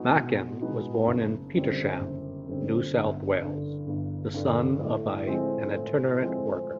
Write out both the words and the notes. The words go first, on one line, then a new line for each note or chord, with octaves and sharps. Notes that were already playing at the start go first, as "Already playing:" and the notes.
Makin was born in Petersham, New South Wales, the son of an itinerant worker.
Already playing: G#3 B3 D#4 F#4
B2
G#3 B3 D#4 F#4
F#1
F#2 D3 G3 C4
F#1
F#2 D3 G3 C4
G1
G2 D3
G1
G2 D3
A2
F3 G#3 C4
A2
F3 G#3 C4